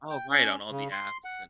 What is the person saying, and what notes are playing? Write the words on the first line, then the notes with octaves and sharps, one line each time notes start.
Oh, right, on all the apps and
G5
C#4
C#3
C6
F#5